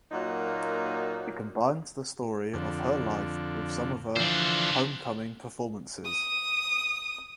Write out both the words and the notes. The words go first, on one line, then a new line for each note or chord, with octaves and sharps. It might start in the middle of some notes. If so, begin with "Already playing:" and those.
It combines the story of her life with some of her Homecoming performances.
A#2 F#3 A#3 D#4 F#4
F2 D3
D3 E3 F3 D4 C5
D#6 D#7